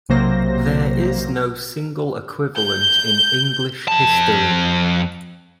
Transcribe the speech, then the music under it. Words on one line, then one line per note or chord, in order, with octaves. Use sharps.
There is no single equivalent in English history.
B1 C3 F#3 A#3 C5 A#6
G6
F2 A5